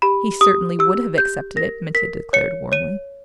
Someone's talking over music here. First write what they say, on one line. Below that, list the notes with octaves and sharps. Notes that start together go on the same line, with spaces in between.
"He certainly would have accepted it," Mitya declared warmly.
G4 B5
G4 D#6
G4 E6
G4 G6
A#4 A#6
A#4 B6
C#5 C#7
C#5 D#7